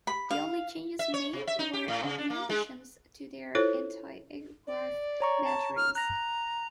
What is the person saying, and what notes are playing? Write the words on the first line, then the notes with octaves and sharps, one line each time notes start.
The only changes made were augmentations to their anti-aircraft batteries.
B5
F5
E5
C#5
C3
E5
D#4
G4
A2
C#3
D4
A#3
G#3
E4 F4 A4 C5 C#5
D5
C#5 A#5 C#6
A5
F6
A#5 F#6 A#6